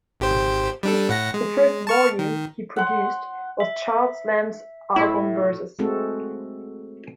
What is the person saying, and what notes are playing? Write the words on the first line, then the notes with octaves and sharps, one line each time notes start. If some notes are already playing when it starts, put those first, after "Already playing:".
The first volume he produced was Charles Lamb's "Album Verses".
G#1 G4 C5
G3 D4 A4
A2 F#5 A#6
G#3
A5 C#6 F6
D#3
F#5 C6
E5
A2 E4
G#3 A3 C4 F#4 A4